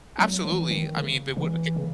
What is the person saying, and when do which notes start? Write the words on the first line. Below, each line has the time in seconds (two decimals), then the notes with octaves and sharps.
Absolutely, I mean, but what okay.
0.18 F#3
0.45 E3
0.71 D#3
0.97 C#3
1.37 E3
1.76 C#3